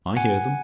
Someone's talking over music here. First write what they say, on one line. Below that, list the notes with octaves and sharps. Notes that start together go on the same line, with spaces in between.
I hear them.
F#5 G#5